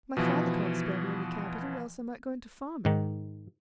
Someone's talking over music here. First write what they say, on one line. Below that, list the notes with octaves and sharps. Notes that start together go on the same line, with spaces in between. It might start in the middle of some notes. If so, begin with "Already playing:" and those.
My father can't spare me any capital, else I might go into farming.
B2 E3 F3
G#2 D#3